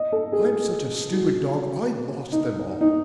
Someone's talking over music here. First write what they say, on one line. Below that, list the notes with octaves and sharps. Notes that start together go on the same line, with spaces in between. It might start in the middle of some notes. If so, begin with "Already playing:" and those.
I'm such a stupid dog I lost them all!
Already playing: D#5
A4
G#4
F#4
D#4
D#4